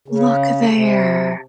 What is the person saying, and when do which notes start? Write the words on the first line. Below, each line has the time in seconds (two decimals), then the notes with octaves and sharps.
Look there.
0.08 C#3
0.72 C3